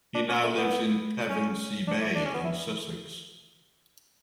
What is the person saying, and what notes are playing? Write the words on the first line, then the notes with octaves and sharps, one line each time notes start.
He now lives in Pevensey Bay in Sussex.
D4
C#4
A3
B3
C#4
D4
E4
D4
C#4
B3
E4